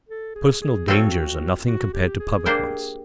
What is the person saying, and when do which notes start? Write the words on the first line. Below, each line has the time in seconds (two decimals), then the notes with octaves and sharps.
Personal dangers are nothing compared to public ones.
0.09 A4
0.35 G#4
0.61 G#4
0.88 C4 F4 F#4 A4 C#5
1.67 F#4
1.93 G4
2.19 G#4
2.46 A#3 D4 G4 C5